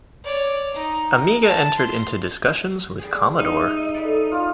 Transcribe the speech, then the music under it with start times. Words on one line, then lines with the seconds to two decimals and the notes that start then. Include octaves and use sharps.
Amiga entered into discussions with Commodore.
0.23 C#5 D5
0.74 D#4
1.42 A5
1.77 C6
2.99 G3 G#4
3.40 D#4
3.55 E5
3.94 A4 B4 D5
4.32 F4 D5 F5